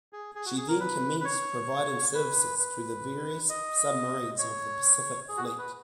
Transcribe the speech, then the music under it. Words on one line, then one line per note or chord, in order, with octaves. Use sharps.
She then commenced providing services to various submarines of the Pacific Fleet.
G#4
G#4
F#4
G#4
A#4
B4
B4
C#5
B4
B4
D#5
C#5
G#4
F#4
G#4
B4